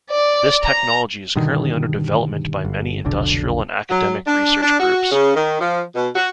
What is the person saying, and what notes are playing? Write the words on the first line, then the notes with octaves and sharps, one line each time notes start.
This technology is currently under development by many industrial and academic research groups.
D5
A#5
G2 B2 D3 D#3
G1
F1 B1 D3
F#3
D4
D4
F#4
C#3
D#3
F3
B2
F#4